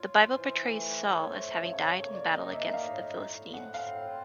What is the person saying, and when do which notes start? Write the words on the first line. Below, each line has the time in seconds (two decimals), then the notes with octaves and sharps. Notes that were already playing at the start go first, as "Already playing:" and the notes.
The Bible portrays Saul as having died in battle against the Philistines.
Already playing: F4 C#5
0.32 E3 C5
0.73 A3
1.13 A3 C#5
1.34 C5
1.53 C#3 C#5
1.73 C#5
1.93 A#3 C#5
2.13 D5
2.33 D#4 D#5
2.53 E5
2.73 A2 F5
3.13 A2
3.53 C4 F#5
3.74 F5
3.94 F4